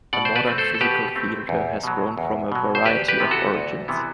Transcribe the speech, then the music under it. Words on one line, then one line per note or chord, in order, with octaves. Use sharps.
A modern physical theater has grown from a variety of origins.
B2 D5 F#5
C5
B4 D5
A3 C4
A4 C5
A4
B2 G4 B4
A3 C4
E2
B2 F#3
E2
B2 F#3
C5
D2 G4 B4
G4 B4
C3 E3 B3
F#4 A4
D2
C3 E3 B3